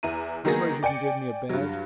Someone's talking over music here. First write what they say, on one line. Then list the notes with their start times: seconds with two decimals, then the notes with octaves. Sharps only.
I suppose you can give me a bed.'
0.03 E2 E4 A#5 D#7
0.45 D#3 F#3 A#3 B3 G#4 A#6
0.83 D5 G5 G#5 C#7
1.49 G2 F#3